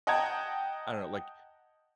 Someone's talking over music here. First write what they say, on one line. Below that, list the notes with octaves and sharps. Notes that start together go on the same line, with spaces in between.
I don't know, like,
D#5 F#5 G5 A5 A#5 G#6